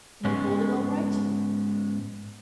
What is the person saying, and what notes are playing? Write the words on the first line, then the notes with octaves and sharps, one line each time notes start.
"Can you hold it all right?"
G#2 G#3 B3 C#4